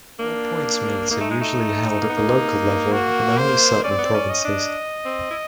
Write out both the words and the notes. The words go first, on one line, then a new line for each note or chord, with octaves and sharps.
All-points meets are usually held at the local level in only certain provinces.
A#3 D4
A#3 D#4
A3
G#3
A3
A#3
B3
A#3
F#4
C5
C#4 D5
C4
B3
C4
C#4
D#5
D4
C4
E4